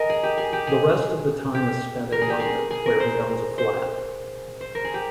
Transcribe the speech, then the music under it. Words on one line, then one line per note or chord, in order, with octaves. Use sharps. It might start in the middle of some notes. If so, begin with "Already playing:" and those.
The rest of the time is spent in London, where he owns a flat.
Already playing: A#4 D#5 G#5
G#4
G4
G#4
G4
G#4
G4
A#4
G#4
G4
G#4
G#4
A#4
C5
C5
C5
A#4
G#4
G4